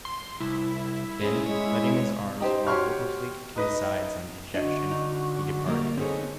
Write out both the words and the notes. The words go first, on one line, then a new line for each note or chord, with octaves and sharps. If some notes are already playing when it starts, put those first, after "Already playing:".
Then letting his arms fall helplessly to his sides in dejection, he departed.
C6
C2 E4
G#3 C#4 G#4
G#3 C#5
D#4 G4 C5
F#4 G4 C#5 C6 C#6 F6
D#4 B4 D#5
D3 D4 F#4 D#5
D#4
G3 A#3 A#4
B3 C4 D#4 G#4 A4 C#5